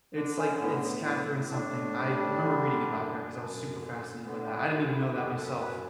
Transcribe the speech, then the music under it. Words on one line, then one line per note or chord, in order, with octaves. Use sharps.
It's, like, it's Catherine something, I remember reading about her because I was super fascinated by that, I didn't even know that myself
D3 D4
C#4
A2 B3
B3
A2 B3
A2 D4
G3
D3
F#2
F#2
D3
D3 B3
D4
E4
D4
D3 F#4
E4
F#2 G4
A4
A4
F#3 B4